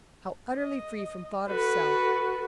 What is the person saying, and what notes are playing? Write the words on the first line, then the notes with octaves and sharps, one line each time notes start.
How utterly free from thought of self!
D#5
F#4 A4 B4